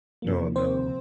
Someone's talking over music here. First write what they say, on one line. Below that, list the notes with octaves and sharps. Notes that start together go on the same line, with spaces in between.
Oh, no.
C3 F3 A#3
C4 C5